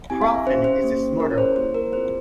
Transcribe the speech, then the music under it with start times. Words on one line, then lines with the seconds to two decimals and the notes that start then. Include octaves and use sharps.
Proffen is the smarter one.
0.10 C4 E4 G4 G#5
0.22 F5
0.34 E5
0.46 C#4 G4 C5
0.64 C5
0.83 A#3 C#4 G4
1.19 C#4 E4 G#4 A#4
1.31 C#5
1.38 C5
1.56 A#3 E4 G4 C5
1.74 A#4
1.93 C4 F4 G#4 C5